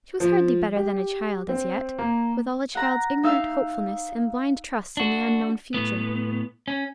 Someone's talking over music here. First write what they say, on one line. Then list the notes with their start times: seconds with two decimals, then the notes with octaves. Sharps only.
She was hardly better than a child as yet, with all a child's ignorant hopefulness and blind trust in the unknown future.
0.20 F3
0.76 G4
1.49 C4
1.99 A#3
2.75 F#5 A#5
3.23 D#4 E5 F5
4.97 D4 F#4
5.74 A2 B3
6.68 C#4